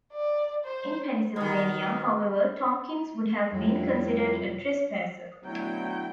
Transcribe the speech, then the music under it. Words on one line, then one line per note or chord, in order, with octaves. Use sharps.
In Pennsylvania, however, Tompkins would have been considered a trespasser.
D5
C5
B2 D#3
F2 A2 C3 G3 E4 F4
B2 D3 F#3 A3 E4 G5